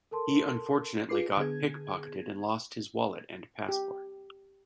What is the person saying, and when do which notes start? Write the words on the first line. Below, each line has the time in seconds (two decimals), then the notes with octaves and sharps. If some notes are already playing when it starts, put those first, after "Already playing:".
He unfortunately got pick-pocketed and lost his wallet and passport.
0.11 A4 A#4 A5 C6
1.09 F4 G#4 B4 D6 C7
1.37 D3 B3 G#4 G#6
3.69 G4